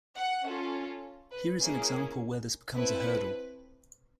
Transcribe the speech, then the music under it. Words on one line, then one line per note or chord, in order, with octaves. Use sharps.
Here is an example where this becomes a hurdle.
F#5
C#4 F4 A4
B4
A#3 C#4 E4 G#4
C4 E4 A4 B4